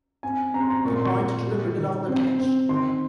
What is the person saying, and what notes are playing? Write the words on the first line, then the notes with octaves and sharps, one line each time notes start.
He pointed to the middle of the page.
C4 G#5
C4 A#5
C6
A#5
A#2 C#6
C6
C#6
A#2
G3
D#3
C4
C4
D#3 C6